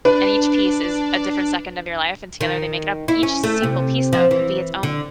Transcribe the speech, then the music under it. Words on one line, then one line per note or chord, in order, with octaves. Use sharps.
and each piece is a different second of your life and together they make it up, each single piece though could be its own
D4 B4
D#3
E4
C#4
A3
C3
F3
E3
D3